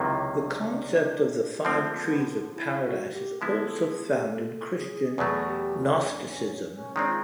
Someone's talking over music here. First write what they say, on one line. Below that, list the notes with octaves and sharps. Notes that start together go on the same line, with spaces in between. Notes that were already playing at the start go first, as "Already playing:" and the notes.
The concept of the Five Trees of Paradise is also found in Christian Gnosticism.
Already playing: C#2 C3 D#3 F#3 A#3 E4
D4
D3 F3 G#3 A3 C4
A#3
A#3
B3
E4
F#4
G4
D3 F3 G#3 B3 E4 G#4
A4
G#4
G4
A4
G#4
E2 B2 F#3 A3 G#4
G4
F4
D4
D4
C#4
C#4
D#3 G#3 C4 D4
F4